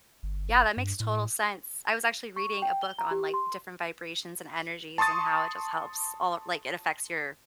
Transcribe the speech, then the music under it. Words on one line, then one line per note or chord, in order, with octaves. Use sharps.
Yeah, that makes total sense, I was actually reading a book on, like, different vibrations and energies and how it just helps all like, it affects your
G1
G2
A2
C#6
G5
G7
A#5
G4
C6
A5 C6 C#6 D#6 A6